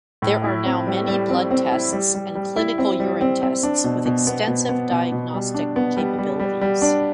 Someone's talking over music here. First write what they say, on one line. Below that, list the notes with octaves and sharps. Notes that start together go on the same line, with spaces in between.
There are now many blood tests and clinical urine tests with extensive diagnostic capabilities.
A2
E4
C4
G3
G3
C4
C4
E4
G3
G3
G3
E4
C4
G3
C4
C4
D4
B2
B2
B3
B2
B3
B2
B2
G3
D4
B3
G3
G3
G3
G3
D4